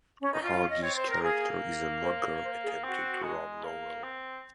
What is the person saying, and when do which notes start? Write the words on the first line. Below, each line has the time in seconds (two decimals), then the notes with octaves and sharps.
Hardy's character is a mugger attempting to rob Laurel.
0.21 C#4
0.32 D#4
0.42 C#4 F4
0.69 D#5
0.82 C4 C#5
0.95 C5
1.09 A#4
1.23 A#3 G#4
2.03 C5
2.43 C5
2.63 G#4
2.83 C4 F#4
3.23 G#3
3.64 A#3
4.03 C4